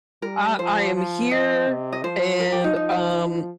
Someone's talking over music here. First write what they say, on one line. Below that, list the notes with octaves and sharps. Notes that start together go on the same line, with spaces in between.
I I am here, and, um
G3 A#4
F3 C5
F3
F3 D#5
C3
D#5
F3 C5
A#4
G4
D#4
D#4
F3